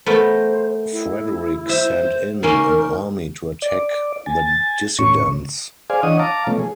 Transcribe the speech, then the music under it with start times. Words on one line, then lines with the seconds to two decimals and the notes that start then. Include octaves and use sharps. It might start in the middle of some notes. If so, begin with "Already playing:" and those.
Frederick sent in an army to attack the dissidents.
0.06 A3 B3 A#4 C5
0.92 E4
1.69 C5 E5
2.43 A#3 C#4 D#4 A#4
3.62 D5
4.26 G#5 A6
4.99 A2 C#4 C#6
5.90 G#4 C5 D5 F5 G#5
6.03 E3 D4 C#5 D#5 F#5 D#6
6.19 F5 A5 A#5 D6
6.47 B2 F3 A3 C#4
6.59 G#4